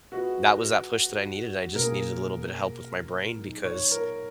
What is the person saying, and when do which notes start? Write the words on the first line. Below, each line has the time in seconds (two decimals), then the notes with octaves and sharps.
that was that push that I needed, I just needed a little bit of help with my brain because
0.12 B3 F4 F#4 G#4 B4 D#5
1.74 B2 A#3 C#4 G#4 A#4
3.38 A#2 F#3 B3 D#4 G#4
3.64 C#5
3.91 A#4